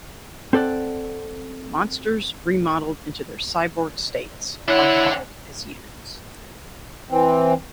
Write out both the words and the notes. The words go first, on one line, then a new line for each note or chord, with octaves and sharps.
Monsters remodeled into their cyborg states are called as units.
C4 A4 D5 F#5
D4 E4 C#5 F#5
E3 C4